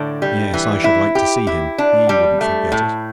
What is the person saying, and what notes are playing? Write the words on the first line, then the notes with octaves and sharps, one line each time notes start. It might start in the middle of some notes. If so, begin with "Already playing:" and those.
Yes, I should like to see him. He wouldn't forget it.
Already playing: A2 D3
G3
E3
E4
G4
E4
D4
G3
A3
A2